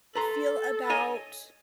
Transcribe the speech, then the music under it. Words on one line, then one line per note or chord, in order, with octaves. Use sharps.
feel about
A4 B4 A#5 C6
C#5 D#5 G#5